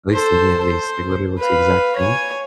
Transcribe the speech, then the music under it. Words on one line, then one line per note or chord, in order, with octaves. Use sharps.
at least to me at least, like literally looks the exact same,
A4 C5
C5
B4 F5
C#5 G#5